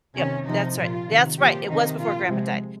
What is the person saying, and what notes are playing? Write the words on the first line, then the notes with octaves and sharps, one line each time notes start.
Yep, that's right. That's right, it was before Grandpa died.
C3 D#3 C#4
C3 F3 D#4
A#2 F3 F4
C3 D#3
A#2 F3 G4
C3 D#3 D#4
A#2 F3 F4
C3 F3 G#3